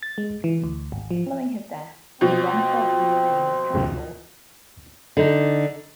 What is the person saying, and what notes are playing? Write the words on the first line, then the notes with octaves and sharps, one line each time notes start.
Following his death "Indenfor Murene" was cancelled.
A6
G#3
E3
D2
G#1
F3
B2 F3 C4
D3 D#4